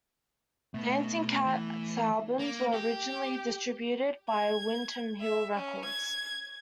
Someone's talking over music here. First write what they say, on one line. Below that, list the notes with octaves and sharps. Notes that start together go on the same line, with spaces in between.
Dancing Cat's albums were originally distributed by Windham Hill Records.
B2 A3 B3
E3
A#3
G4
G#6
E5
C#4
G#6